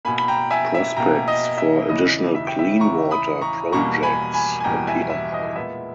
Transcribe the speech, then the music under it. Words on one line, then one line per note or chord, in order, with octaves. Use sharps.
Prospects for additional clean water projects appear high.
B2 A#3 G#5 B5
B5
G5 A#5
E5 G#5
E5
B2 A#3 G5 A#5
D#5
E5
E2 C#3 E3 D#5
E5
G5
E5
E2 C#3 E3 A#5 C#6
B5 D#6
A#5 C#6
E2 B2 G3 A#3 A#5 C#6
G#5 B5
G#5 B5
G#5
E2 B2 G3 A#3 G5 A#5
E5 G#5
E5
D#5
A#2 G#3 B3 E5